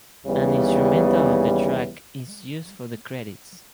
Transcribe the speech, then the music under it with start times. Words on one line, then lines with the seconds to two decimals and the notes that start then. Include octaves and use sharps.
An instrumental of the track is used for the credits.
0.25 D#2 C#3 E3 G3 B3